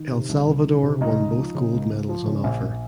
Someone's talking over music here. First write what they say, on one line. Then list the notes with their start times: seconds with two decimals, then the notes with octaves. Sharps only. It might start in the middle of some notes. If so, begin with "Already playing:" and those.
El Salvador won both gold medals on offer.
Already playing: D#3
0.12 C3
0.29 C2
0.48 C2
0.65 D#3
0.83 C3
1.00 C#2 D#4 D#5
1.19 C#2
1.37 F3
1.55 C#3
1.73 C#2
1.90 C#2
2.09 F3
2.27 C#3
2.44 A#1
2.63 A#1